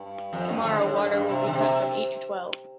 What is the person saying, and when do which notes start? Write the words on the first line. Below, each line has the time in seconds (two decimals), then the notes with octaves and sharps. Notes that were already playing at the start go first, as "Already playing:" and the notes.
Tomorrow water will be cut from eight to twelve.
Already playing: G2
0.33 F2
0.48 G2
0.65 D3
0.80 A2
0.96 G2
1.12 G2
1.29 C3
1.47 D3
1.53 C3